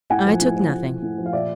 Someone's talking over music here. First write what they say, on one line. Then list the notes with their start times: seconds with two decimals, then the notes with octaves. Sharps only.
'I took nothing.
0.10 A2 F#5 G#5
0.26 F3
0.41 A2
0.56 F3
0.72 A2
0.87 F3
1.02 A2
1.18 F3
1.26 F5
1.33 A#2 D5 E5